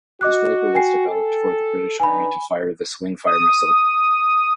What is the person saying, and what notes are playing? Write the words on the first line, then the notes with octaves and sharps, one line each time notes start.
The Striker was developed for the British Army to fire the Swingfire missile.
F#4 D#5 D6 F#6
G5 G#5 C7
A4
D3 D#4 B4 G#5 B5
D#6